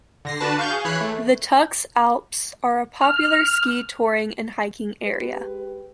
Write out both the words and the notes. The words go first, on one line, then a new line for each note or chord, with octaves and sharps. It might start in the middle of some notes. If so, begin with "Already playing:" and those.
The Tux Alps are a popular ski touring and hiking area.
D3 A#6 C7
D4 F#4 B4 A5
F5 C#6 G6
G#4
E3 C#5 B5 F#6 C7
A3
F6
G#3 G4 B4